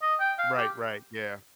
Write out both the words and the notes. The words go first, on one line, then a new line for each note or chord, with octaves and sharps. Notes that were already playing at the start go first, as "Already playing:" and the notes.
Right, right, yeah.
D#5
G5
F5
G4